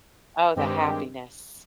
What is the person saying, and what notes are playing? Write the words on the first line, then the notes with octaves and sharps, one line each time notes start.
oh, the happiness.
G2 D#3 G#3 C4 G4